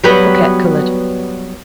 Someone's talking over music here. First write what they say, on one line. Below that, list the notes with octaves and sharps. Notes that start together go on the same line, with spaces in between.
Fouquet colored.
F#3 G3 B3